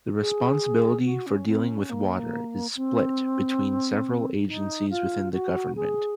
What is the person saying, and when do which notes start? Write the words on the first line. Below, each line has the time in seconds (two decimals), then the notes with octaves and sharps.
The responsibility for dealing with water is split between several agencies within the government.
0.19 G#4
1.04 F#4
1.26 C#4
1.47 C4
1.68 C#4
1.89 A#3
2.75 C4
4.47 D#4
4.90 F4
5.33 F#4
5.76 G#4